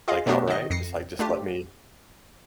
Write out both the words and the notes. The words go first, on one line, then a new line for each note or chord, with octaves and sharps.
Like, outright. Just, like, just let me
F4 G#4 D#5 F5
B2 A3 B3 D4 F#4 G4
D#3 D#5
F2 A#6 C7 C#7
A3 D4 F4 G4